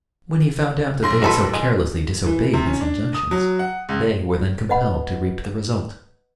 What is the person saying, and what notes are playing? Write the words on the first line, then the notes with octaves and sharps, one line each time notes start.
And when he found out that they had so carelessly disobeyed his injunctions, they were then compelled to reap the result.
B1 C6 A#6
F#4 A4 B4
G#3
E3
C3
C#4
D4
D#6
F#3
F#5
C#2
B4 D#5 F#5 B5